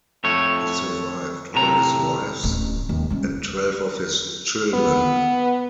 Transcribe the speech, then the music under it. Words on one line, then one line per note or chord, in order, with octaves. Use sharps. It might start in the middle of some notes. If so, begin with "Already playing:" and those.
He survived all his wives and twelve of his children.
F2 A3 C#5
A2 C3 A#5
D1 A1
D#2
G3 C#4
B3